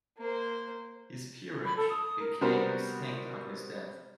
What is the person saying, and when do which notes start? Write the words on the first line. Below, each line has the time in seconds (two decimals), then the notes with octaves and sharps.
His peerage became extinct on his death.
0.17 A#3 C5
1.64 B5
1.76 A4
1.89 D#6
2.04 D#6
2.19 A#4
2.41 C3 G3 B3 F#4 A#4 C5